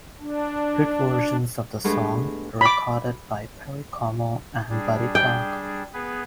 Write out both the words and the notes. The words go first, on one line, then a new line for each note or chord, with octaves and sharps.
Hit versions of the song were recorded by Perry Como and Buddy Clark.
D4
G2 G#3 A3 B3
B5 D6
G3 D4 G#4
G5
B3 G#4 B4